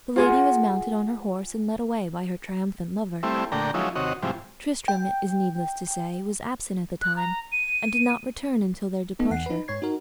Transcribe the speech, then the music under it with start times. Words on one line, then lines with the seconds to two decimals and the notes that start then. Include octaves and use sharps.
The lady was mounted on her horse, and led away by her triumphant lover. Tristram, it is needless to say, was absent at the time, and did not return until their departure.
0.16 F4 G#4 F#5
3.23 G3 A3 C4 E4
3.52 A#2 D3 A3 G5 A#5
3.74 F3 F#3 G#3 C#4 D#4 E4
3.96 D#2 C3 F#4 C#5 D#5
4.23 G#2 C3 E3 F3 G3
4.88 G5
7.01 F#6
7.16 A#5
7.52 D#7
9.19 B3 D#4 A4
9.30 E2 F#5 C7
9.46 D#4 B4
9.68 G#2 C#5 G#6 C7
9.82 D#4 F#4 A#4